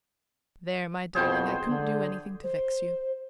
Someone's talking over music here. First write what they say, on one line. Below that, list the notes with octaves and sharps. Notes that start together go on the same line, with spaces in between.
There, my darling, I couldn't do anything to vex you.
C2 F2 B2 G#4 C5 G5
D3
C5